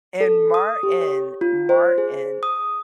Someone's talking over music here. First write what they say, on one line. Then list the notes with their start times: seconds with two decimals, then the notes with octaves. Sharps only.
And Martin. Martin,
0.21 A4
0.54 D#6
0.83 G4
1.01 C#5
1.41 F4
1.69 C5
1.98 G#4
2.43 D#6